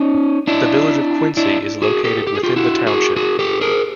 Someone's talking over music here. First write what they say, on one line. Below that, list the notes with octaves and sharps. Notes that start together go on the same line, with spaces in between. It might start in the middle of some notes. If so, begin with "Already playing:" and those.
The village of Quincy is located within the township.
Already playing: C#4 D#4
D4 E4
D4 E4
F#4 G#4
G4 A4
G4
G#4
F4 G4
E4 F#4
F#4 G#4
F#4 G#4
G4 A4
G#4 A#4